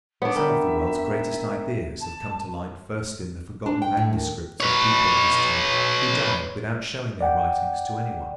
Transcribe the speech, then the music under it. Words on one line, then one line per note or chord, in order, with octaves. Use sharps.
Some of the world's greatest ideas have come to light first in the forgotten manuscripts of people of this type who died without showing their writings to any one.
B3 D4 B4 C#5
A#4 E5 G5 A#5
A5
D4
G5
A2
D#2
B4 C#5
D5 F#5 G5